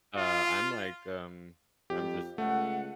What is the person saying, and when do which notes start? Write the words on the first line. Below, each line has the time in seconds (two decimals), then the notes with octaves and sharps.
Uh, I'm like, um, I'm just,
0.17 F4
1.90 F2 G4
2.38 C#2 A3 F#5